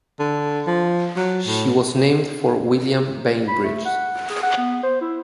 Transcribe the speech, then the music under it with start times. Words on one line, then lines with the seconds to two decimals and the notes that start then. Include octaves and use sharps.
She was named for William Bainbridge.
0.19 D3
0.67 F3
1.16 F#3
1.46 A2
3.48 B5
3.64 A3
3.85 F#5
4.30 G#4
4.43 F#5
4.57 B3
4.83 C5
5.01 E4